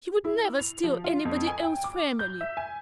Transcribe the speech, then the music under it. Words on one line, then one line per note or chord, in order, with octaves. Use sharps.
He would never steal anybody else's family!
E4
F7
F3
F4
F2
G#5
G5
D6
G6
E5
G#5